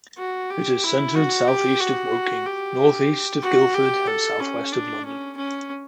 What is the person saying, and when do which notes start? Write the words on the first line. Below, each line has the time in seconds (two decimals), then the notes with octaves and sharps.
It is centred southeast of Woking, northeast of Guildford and southwest of London.
0.18 F#4
0.50 G4
0.84 E4
1.15 F#4
1.47 G4
1.80 F#4
2.45 G4
3.42 F#4
3.74 G4
4.07 A4
4.40 C#4
4.72 D4
5.05 C#4
5.37 C#4